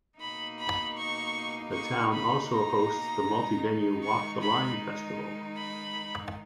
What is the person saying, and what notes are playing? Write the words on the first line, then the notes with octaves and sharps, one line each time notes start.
The town also hosts the multi-venue Walk the line festival.
B2 A#3 D#4 B5
B5
C#6
C#6
B5
A#5
D#3 G#3 D#4
C#6
B5
B5